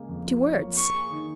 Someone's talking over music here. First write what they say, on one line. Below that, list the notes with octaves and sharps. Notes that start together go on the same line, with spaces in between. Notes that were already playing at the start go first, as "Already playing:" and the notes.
"Two words?"
Already playing: C#3 G#3 A#3
F2
F4
C#5
A#3
A#3 C#6
G#4
D#3